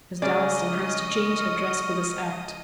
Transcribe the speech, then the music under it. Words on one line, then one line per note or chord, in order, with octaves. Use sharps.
"Miss Dalstan has to change her dress for this act."
C#3 G#3 D4 D5 D#5 C#6 D#6 F6